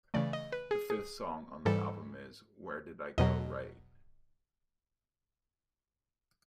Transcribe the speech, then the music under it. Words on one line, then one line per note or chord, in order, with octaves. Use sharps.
The fifth song on the album is "Where Did I Go Right?".
C#3 E3 A3 D5
D#5
B4
G#4
G#4
G#2 E3 G3 A4
E2 B2 F#3 D#5